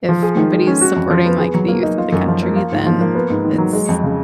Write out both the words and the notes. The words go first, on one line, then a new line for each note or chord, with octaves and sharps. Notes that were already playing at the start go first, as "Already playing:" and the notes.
if nobody's supporting, like, the youth of the country, then it's
F3
G#4
D#3
G#3
C#4
F#4
F2
F3
B3
G#4
F#3
A#3
D#4
F4
F#2
F3
A#3
F4
G#2
F3
A#3
B3
G#2
D#3
F#3
G#3
F2
C#3